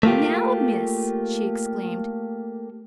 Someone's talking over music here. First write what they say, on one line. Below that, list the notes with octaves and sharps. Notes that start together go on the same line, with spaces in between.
"Now, Miss!" she exclaimed.
A3 A#3 F4 G4